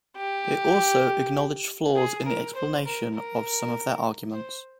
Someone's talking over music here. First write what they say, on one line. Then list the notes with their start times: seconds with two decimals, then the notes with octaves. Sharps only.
They also acknowledged flaws in the explanation of some of their arguments.
0.17 G4
1.96 G#4
2.25 A#4
2.55 C5
2.85 A#4
3.15 A#4
4.34 C5